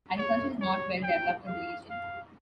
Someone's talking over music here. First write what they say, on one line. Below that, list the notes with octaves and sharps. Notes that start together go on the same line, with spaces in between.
Agriculture is not well developed in the region.
C#5
C#5
G5
F5
F5